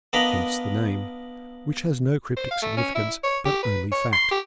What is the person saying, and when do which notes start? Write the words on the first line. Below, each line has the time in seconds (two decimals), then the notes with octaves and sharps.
Hence the name, which has no cryptic significance, but only fact.
0.13 B3 D4 A#4 D#5 F5 B5
2.37 C5
2.51 F5
2.62 A3
2.77 C#4
2.95 E4
3.23 C#5
3.45 G4
3.63 B4
3.92 C#5
4.13 C6
4.31 G4